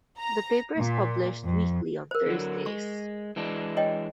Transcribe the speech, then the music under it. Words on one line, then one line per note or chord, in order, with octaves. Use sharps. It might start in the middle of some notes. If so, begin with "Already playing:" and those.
The paper is published weekly on Thursdays.
A#5
A#2
F2
A#4 C5
D3 F#3
G#3 C#6
E3 G#3 D4
C#5 D#5 G5